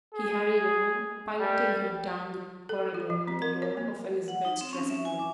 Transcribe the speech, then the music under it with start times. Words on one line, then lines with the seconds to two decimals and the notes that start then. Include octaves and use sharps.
He hurried on, piloting her down the corridor to the door of Elizabeth's dressing room.
0.15 G#4
1.40 G3
2.69 A4
2.94 F4
3.10 F3
3.27 C4
3.42 A#4
3.62 C#5
3.77 A#3
4.28 F#5
4.45 D#4
4.61 C4
4.73 C#4
4.90 E5
5.05 G#5
5.19 D6